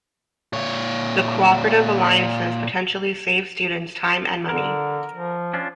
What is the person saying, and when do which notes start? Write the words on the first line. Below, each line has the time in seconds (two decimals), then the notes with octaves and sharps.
The Cooperative Alliances potentially save students time and money.
0.53 A#2 C#5
4.49 D3 A#4
5.14 F3
5.53 C#4 D4 F4